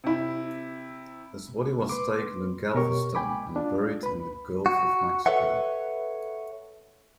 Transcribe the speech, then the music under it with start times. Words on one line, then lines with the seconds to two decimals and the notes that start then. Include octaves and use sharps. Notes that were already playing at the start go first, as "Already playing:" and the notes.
His body was taken to Galveston and buried in the Gulf of Mexico.
0.04 C3 E4
1.89 B4 C6 D6
2.75 B2 G4 A#4 C#5 C#6
3.15 G5 G#5 B5 D6
3.56 D4 F4
4.03 B4 B5
4.66 F#4
5.26 A4 B4 C#5 E5 F#5